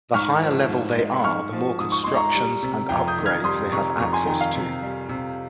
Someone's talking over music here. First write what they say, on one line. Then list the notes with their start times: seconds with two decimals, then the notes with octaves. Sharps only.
The higher level they are the more constructions and upgrades they have access to.
0.14 G#2 C#6 F6
0.42 F3
0.69 G#2
0.97 G#3
1.24 G#2 C#6 F6
1.53 F3
1.80 G#2 D#6
1.92 C#6
2.04 G#3 C6
2.16 A#5 C#6
2.35 G3
2.63 C3
2.89 F2 G5 A#5
3.08 D#6 G6
3.18 D#3
3.26 F6 G#6
3.44 G3 C6 D#6
3.72 C3 A#5 C#6
3.99 F2 A#5 C#6
4.13 G#5 C6
4.27 D#3 G5 A#5
4.41 F5
4.55 C3
4.82 G3
5.09 C3